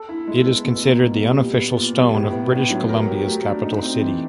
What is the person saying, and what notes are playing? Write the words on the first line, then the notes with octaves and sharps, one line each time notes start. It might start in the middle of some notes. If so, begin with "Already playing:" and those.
It is considered the unofficial stone of British Columbia's capital city.
Already playing: A4
E4
G#3
B3
B2
A#3
B2
G3
A#2
B3
A#2
G3
A2
B3
A2
F#3
A#4
G4
A3
D4
D#4
C4
E3